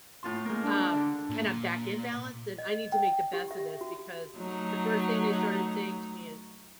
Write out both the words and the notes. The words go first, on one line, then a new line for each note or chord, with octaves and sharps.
um, and I'm back in balance, then I need to make the best of this because the first thing they started saying to me is,
A2 F4 C6
G#3 A#3
D4
D3
A#2
D#5
G5
G4
E5
F#4
F#3 A3 D#4